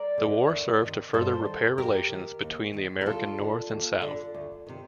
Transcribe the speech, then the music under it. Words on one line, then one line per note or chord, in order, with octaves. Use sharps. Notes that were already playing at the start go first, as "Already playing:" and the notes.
The war served to further repair relations between the American North and South.
Already playing: A#4 D5
D3
D2
C3 D#3
G2 A4 C5
D#3
F2 G4 A#4
D#3
D#2
D#3
A#4
D2 F4 A4
D3
D#2
D3
D2
C3 D#3